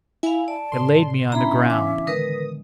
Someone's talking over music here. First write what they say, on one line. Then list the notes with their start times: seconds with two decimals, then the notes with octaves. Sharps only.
It laid me on the ground.
0.23 E4 F5 G#5
0.48 D5 A5
0.72 A2 C#3 C6
1.32 B3 C#4 D4 E4 E5 A#5 B5 G#6
1.70 E3 F5 G#5 D6
2.07 D3 D#3 G#3 A#4 B4 D#6